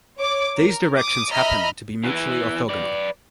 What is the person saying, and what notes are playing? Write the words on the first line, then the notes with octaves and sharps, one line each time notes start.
These directions happen to be mutually orthogonal.
C#5 D6
A#4
D6 D#6
D#5 E5 A#5 B5 F6
E2 E3
B4 D5